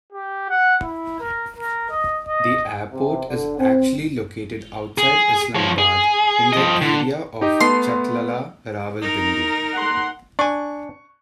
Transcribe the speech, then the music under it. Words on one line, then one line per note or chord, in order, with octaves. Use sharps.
The airport is actually located outside Islamabad, in the area of Chaklala, Rawalpindi.
G4
F#5
E4
A#4
A#4
D#5
D#5
C3
D3
C4
G#4
F3 C#5
G#4
F3 D#5
D3
D#4 G4 D#5
A3 B3 C6
D#4 A#4
F#5 C6
D4 G#5 C#6